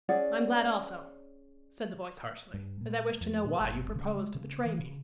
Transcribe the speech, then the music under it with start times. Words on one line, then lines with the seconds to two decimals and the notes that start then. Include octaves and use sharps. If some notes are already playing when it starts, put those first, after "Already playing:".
"I am glad, also," said the voice harshly, "as I wish to know why you propose to betray me."
0.09 C#4 G#4 D5 F#5
2.54 G2
2.81 A#2
3.21 F2
3.44 A#2
3.60 F#1
3.95 C#3
4.16 G#3
4.35 C#3
4.65 E3
4.79 C#3